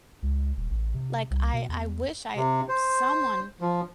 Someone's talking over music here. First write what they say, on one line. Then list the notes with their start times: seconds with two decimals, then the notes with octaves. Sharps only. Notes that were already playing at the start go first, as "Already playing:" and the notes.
Like, I I wish I someone
0.22 C#2
0.57 D#1
0.70 A1
0.94 C3
1.30 C2
1.53 B2
1.69 E2
2.36 C3
2.69 C5
3.61 F3